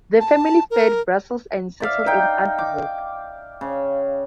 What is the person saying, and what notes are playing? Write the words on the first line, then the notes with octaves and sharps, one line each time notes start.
The family fled Brussels and settled in Antwerp.
A5
A#4
D5 E5 F5
D#4 G5
D6
C#3